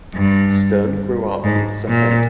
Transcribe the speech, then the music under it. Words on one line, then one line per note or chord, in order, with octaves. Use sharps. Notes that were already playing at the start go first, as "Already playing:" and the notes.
Stern grew up in Safed.
G2
G#2
A#2